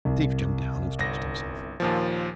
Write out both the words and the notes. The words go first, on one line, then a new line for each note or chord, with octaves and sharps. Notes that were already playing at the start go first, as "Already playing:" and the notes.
Steve jumped down and stretched himself.
C2
G1 A#6
D#2 A#2 F3